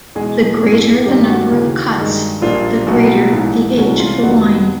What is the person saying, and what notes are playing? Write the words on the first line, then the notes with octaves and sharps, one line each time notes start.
The greater the number of cuts, the greater the age of the wine.
E2 B2 G#3 G#4
A1 G2 E3 A3 C4 G#4
G2 D#3 G3 A#3 C#4 G4
F#4
D#2 C#3 E3
G2 D#3 G#3
A#1 A#2 G3 A#3 D4 F4
B1 A2 F#3 B3 F#4
A#1 G#2 E3
C2 C3 E3 G#3 C#4 F#4
F4
F1 D#2 D#3 G3 B3 F#4